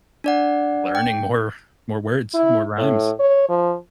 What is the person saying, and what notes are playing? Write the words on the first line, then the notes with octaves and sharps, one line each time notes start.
learning more more words, more rhymes.
D4 D5 F#5
G5
E4
A2
C#5
F3